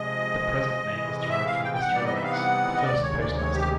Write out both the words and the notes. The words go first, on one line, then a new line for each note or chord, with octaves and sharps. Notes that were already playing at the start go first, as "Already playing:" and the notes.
The present name is derived from Mr. Owens, the first postmaster.
Already playing: C3 F3 G#3 D#5
C3 E3 G#3
D#5
E5
F5
G5
G5
C3 E3 G3 B3 D#4 F#5
D5
D#5
E5
F5
F#5
D#5
D2 C3 D#3 G#3 D5
C#5
D5
C#5
G4